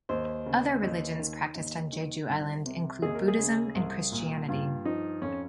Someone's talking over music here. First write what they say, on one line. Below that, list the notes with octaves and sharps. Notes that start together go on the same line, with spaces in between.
Other religions practiced on Jeju Island include Buddhism and Christianity.
D#2 C5
C#3
D#2
D#3
D#2
D#3
C2
C3
D#2 G#4
A#4
G#4
C#3
C2
A#2
G2 F4
F3 D#4
F2 C#4